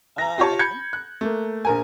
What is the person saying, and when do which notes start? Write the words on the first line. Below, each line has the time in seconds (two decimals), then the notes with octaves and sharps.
Uh, I think
0.18 A#5 A#6
0.38 F4 G4 C#5 A5
0.59 B5 G6 G#6 C#7
0.93 F#6
1.21 A3 A#3
1.65 A#1 A#4 G#5